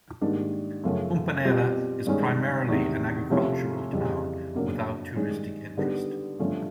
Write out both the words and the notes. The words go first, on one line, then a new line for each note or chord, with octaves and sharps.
Mponela is primarily an agricultural town without touristic interest.
G#2 D#3 G3 A#3 D4
F#2 C#3 F3 A3 C#4
B2 G3 C4 F4
G2 D#3 G#3 C#4
E2 C3 D#3
C3 F3 A3 C#4 E4
F2 C#3 E3 G3 C4
F#2 C#3 F#3 A#3 D4
G2 D#3 G#3 C#4
D3 G3 B3 D#4
G2 D3 F3 A3 C#4